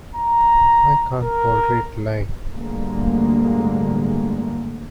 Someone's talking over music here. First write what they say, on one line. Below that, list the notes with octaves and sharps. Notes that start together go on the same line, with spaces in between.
I can't tolerate lying.
A#5
A#4
A1 D2 G2 D3 G#3 A#3